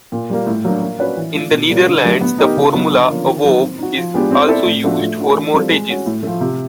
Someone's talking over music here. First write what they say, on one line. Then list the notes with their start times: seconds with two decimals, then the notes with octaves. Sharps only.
In the Netherlands the formula above is also used for mortgages.
0.12 A#2
0.30 G3 A#3
0.47 A2
0.64 F#3 A#3 D4
0.82 A#3
0.99 C#4 F#4 B4 D5
1.17 E3
1.34 A3 D4 F4
1.51 B2
1.69 G3 A#3 C#4 F4
1.87 D3
2.05 F#3 A3 D4 G4
2.21 B3
2.38 D#4 G4 A#4 D#5
2.57 C#3
2.74 F#3 B3
2.91 D3
3.09 F3 A#3 C#4
3.26 D#3
3.44 F#3 A#3 D#4
3.61 C4
3.78 D#4 F#4
3.97 F3
4.14 G#3 B3 D4 G4
4.31 C4
4.48 E4 A4 D5
4.66 A2
4.84 F3 A3 D4 F#4
5.01 A3
5.19 D4 F#4 A#4
5.35 E3
5.53 G3 C4 F4 A4
5.71 G#3
5.89 C#4 F#4
6.06 A2
6.23 F3 A3
6.41 C3